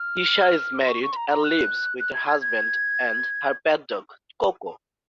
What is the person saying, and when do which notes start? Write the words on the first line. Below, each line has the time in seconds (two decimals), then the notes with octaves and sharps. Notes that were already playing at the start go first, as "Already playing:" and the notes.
Isha is married and lives with her husband and her pet dog Coco.
Already playing: F6
0.82 C6
0.89 C#6
1.03 C#6
1.12 C6
1.16 A#5
1.30 A#5
1.44 F#6
2.00 F#6
2.14 G#6
2.27 G#6
2.41 G#6